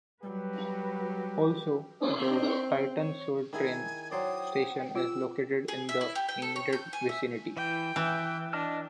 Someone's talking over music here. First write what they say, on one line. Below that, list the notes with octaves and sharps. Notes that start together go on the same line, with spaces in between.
Also, the Titan Sud train station is located in the immediate vicinity.
F#3 G3 F#4 G4 B4
C4
C#5
D#3 E4 G#4 G#5
F#3 C5 D5 G5 D#6
F4 E6
G#4
E5
E4
G4
G5
A4
C#5
G6
G#5
E5
E3 G5
E3 E5
D4 D#5 A5 F6